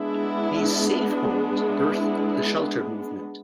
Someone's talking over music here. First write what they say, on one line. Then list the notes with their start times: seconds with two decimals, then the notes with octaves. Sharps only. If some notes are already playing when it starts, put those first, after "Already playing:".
These "safe homes" birthed the shelter movement.
Already playing: G#3 B3 D4 E4
1.54 E4